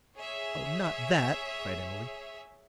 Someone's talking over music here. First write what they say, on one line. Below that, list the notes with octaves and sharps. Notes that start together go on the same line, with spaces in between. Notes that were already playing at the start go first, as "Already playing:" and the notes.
'Oh, not that!' cried Emily.
G#4 C#5 E5